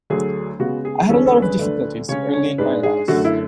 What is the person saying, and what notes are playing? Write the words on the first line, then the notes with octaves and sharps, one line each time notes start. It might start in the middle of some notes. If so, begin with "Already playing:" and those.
I had a lot of difficulties early in my life.
D2 D3 F#3 A3 G#4
C#3 G#3 B3 F#4
G#4
E2 D3 G#3 C#4 A4
A4
B4
D2 D3 A3 D4
C#3 G#3 C#4 C#5
C#5
G#2 G#3 D4 B4
G#4
F#2 D3 A3 F#4
E4